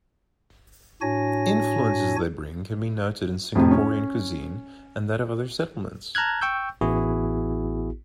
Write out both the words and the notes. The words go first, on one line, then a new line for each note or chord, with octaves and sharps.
Influences they bring can be noted in Singaporean cuisine and that of other settlements.
A2 D4 F#4 C#5 G#5 A#6
F2 A2 C3
C#4
A5 A#5 F6 F#6 G#6
G5 C#6 E6 G6
A1 B3 E4 F#4 G#4